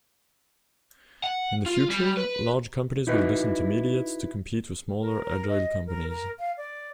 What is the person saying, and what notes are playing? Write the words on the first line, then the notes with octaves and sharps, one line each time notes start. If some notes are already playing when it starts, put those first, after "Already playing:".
In the future, large companies will dis-intermediate to compete with smaller agile companies.
F#5
F4
G3
B4
D#4 E4 F#4 B4 C#5 D#5
A#4
A#4
D#5
A#4
A#4
F5
D5